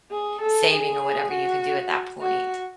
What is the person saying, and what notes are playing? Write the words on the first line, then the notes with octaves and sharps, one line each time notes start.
saving or whatever you can do at that point.
G#4
A4
G#4
F#4
F#4